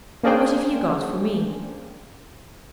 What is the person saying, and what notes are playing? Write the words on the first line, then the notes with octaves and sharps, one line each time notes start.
What have you got for me?'
A#3 C#4 D4 G#4 C5 G5